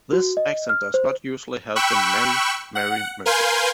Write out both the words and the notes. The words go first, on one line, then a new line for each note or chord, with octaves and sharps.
This accent does not usually have the "marry"-"merry" merger.
F#4
D#5
F6
C5
G5 B5 C#6 E6 F#6
F#5
A#4 B4 F5 G#5 C6 G6